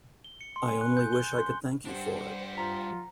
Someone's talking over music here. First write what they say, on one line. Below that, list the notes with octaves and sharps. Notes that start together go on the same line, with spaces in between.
I only wish I could thank you for it.
G7
C#7
C6
G#5
F#6
G6
G7
G6
C6
G3 D4 G4 C5 F#5
F4 A#5 B6